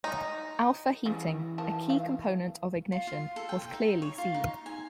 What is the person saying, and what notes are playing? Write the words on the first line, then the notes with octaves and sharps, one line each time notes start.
Alpha heating, a key component of ignition, was clearly seen.
D#4
C#3 E3 G3
D#3 F3 A5
F5
F4
F4
A4
G5
D#4
C#5
F4
D#4
G#5